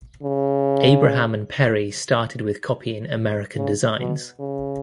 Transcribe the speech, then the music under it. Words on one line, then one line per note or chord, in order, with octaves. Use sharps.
Abraham and Peri started with copying American designs.
C#3
C#3
B2
C#3